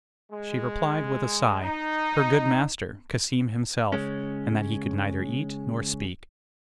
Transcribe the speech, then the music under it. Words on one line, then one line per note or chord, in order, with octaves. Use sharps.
She replied, with a sigh, Her good master, Cassim himself, and that he could neither eat nor speak.
G#3
D#4
C#3 G#3 C#4